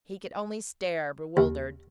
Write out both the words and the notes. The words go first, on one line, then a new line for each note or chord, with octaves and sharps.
He could only stare, bewildered.
D#2